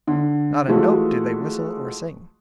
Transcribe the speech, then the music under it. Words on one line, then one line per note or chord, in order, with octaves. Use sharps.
Not a note did they whistle or sing.
D3
E3 F3 G#3 A3 F#4